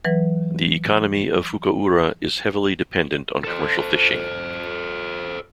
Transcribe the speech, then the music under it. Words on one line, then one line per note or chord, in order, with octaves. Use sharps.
The economy of Fukaura is heavily dependent on commercial fishing.
E3 F#3 B4
A4 C5